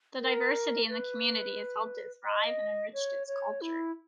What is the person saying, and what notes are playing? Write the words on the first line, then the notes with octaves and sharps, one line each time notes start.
The diversity in the community has helped it thrive and enriched its culture.
A#4
B4
D#5
C#5
C#5
E4